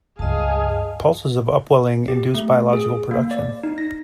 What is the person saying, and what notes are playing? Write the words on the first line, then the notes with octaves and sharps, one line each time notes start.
Pulses of upwelling induce biological production.
C#2 G2 G#4 D#5 F5 A5
G4
A3
G#4
A#3
D5
D#4
A#6